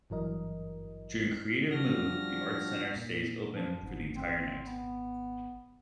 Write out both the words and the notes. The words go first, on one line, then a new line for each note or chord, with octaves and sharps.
During "Creative Move", the Art Center stays open for the entire night.
G#1 G2 E3 F#3 A#4 D#5
F3 G3 D4 F#4 F6 A#6
A#2
F3
G1 G#2
G#1 C4
B3